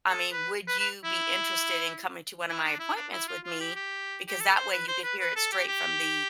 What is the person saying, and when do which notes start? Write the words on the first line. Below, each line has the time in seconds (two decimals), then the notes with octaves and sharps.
I mean, would you be interested in coming to one of my appointments with me? Because that way you could hear it straight from the,
0.08 A4
0.33 B4
0.68 B4
0.80 B4
1.04 E4
2.49 E4
2.64 D4
2.79 E4
2.96 D4
3.12 E4
3.28 F4
3.44 F4
3.60 G4
3.75 G4
4.28 G4
4.41 A4
4.56 C5
4.72 B4
4.88 C5
5.04 B4
5.20 B4
5.36 A4
5.52 G4
5.67 G4